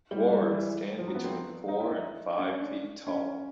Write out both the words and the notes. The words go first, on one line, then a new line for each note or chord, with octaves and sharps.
Dwarves stand between four and five feet tall.
G3
G#3
G3
E3
E3
F3
F#3
B3
C4
D#4
E4
D#4
C#4
D4
C#4
C#4